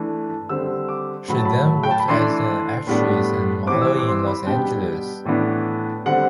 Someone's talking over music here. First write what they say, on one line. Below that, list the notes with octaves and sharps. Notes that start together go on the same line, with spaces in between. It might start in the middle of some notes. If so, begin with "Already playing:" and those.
She then worked as an actress and model in Los Angeles.
Already playing: E3 A3 D4
D3 G3 C4 E6
D6
A2 F#3 A3 B5
A5
B5
G5
A5
B5
E3 A3 D4 C6
A2 G3 B3 D4
E3 G3 C4 D6
E6
D6
D6
C6
B5
B2 G3 B3 D4 G5
A2 E3 B3 D4
D3 G3 C4 F#5